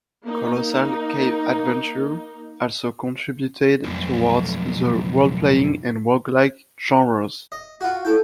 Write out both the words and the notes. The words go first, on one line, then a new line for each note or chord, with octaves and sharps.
"Colossal Cave Adventure" also contributed towards the role playing and roguelike genres.
A#3 D#4
B1 F2
D#5
F4 F#4 F#5
E4 A4 G5